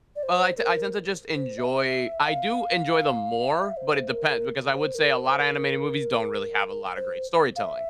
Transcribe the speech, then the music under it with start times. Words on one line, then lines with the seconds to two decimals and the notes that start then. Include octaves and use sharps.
Well, I te I tend to just enjoy I do enjoy them more, but it depends, because I would say a lotta animated movies don't really have a lotta great storytelling;
0.16 D5
0.23 C5
0.58 A#4
1.36 C5
1.58 E5
2.25 F5
3.60 E5
3.77 C5
3.94 C5
4.11 A#4
4.27 A#4
4.72 C5
4.95 A#4
5.17 C5
5.40 A#4
6.96 C5
7.56 F5
7.64 E5